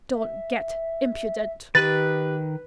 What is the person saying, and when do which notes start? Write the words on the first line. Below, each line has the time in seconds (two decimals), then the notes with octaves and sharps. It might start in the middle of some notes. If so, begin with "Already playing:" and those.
"Don't get impudent."
0.14 E5
1.75 D#3 G4 B4 A6